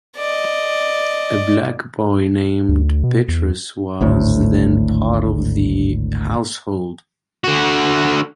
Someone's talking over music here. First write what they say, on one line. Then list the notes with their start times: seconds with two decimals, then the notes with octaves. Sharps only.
A black boy named Petrus was then part of the household.
0.16 D5 D#5
2.69 D2
3.03 B2
3.28 E2
4.01 G#1 D2 A2
7.44 D3 F#4